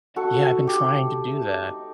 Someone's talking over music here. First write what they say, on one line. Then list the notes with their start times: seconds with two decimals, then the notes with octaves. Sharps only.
Yeah, I've been trying to do that.
0.16 D#4 F#4 A4
0.54 D#4
0.67 G4
0.94 A3
1.31 A3
1.70 D#4